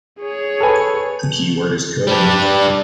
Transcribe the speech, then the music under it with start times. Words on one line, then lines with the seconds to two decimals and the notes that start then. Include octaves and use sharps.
The key word is 'could'.
0.20 G#4 C#5
0.60 A4 B4 G#5
2.07 G3 D4